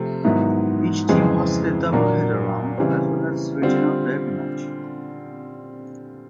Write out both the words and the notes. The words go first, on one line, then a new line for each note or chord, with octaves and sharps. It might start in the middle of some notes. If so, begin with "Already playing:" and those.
Each team hosted a double header round as well as a regional derby match.
Already playing: C3 F3 A3 C4
G#2 D#3 F#3 B3 E4
F2 C#3 E3 G#3 C4
A#2 F#3 A#3 D4
C#3 E3 G3 C4
D3 G3 C4 F4